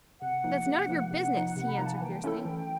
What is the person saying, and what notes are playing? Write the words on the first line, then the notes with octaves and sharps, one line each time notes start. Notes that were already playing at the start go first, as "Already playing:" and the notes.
"That's none of your business," he answered, fiercely.
C3 F#5
F3 A#3 D#4
C3
F3 A#3 D#4
C3 F#5
F3 A#3 D#4
C3
B5
F3 A#3 D#4 A#5
A5
G#5
E3 G5
A3 C#4 E4 A4
E3